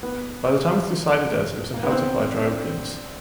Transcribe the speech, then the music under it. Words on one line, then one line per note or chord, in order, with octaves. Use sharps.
By the time of Thucydides it was inhabited by Dryopians.
B3
A#3
B3
C4
D4